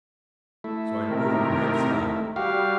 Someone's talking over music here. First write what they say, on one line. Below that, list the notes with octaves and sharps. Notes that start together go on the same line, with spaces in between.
So I knew you were inside.
A3 E4
C3 D#3 A#4
G3 F#4 G4 F5